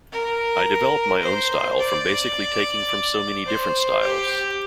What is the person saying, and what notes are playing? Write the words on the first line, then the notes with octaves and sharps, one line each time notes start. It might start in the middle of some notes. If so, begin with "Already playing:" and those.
I developed my own style from basically taking from so many different styles.
A#4
C5
D5
C5
G4